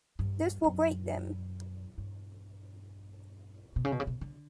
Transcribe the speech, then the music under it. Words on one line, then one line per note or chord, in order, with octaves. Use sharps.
This will break them.
G2
F#2
G2
B2
C#3
B2
C#3
B2
D3